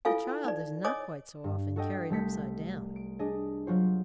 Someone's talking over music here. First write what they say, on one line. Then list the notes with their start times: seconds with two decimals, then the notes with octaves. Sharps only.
The child is not quite so often carried upside down.
0.05 E4 F4 A4 F5 G#5
0.44 D#4 D5
0.84 C#5 D#5 G#5 D6 D#6
1.44 G2
1.76 F#4 A4 D#5 G5
2.10 C2 G3 A3 G6 B6 C#7
2.96 D7
3.19 D4 G#4 D#5
3.67 F#3 F4 F#4 C5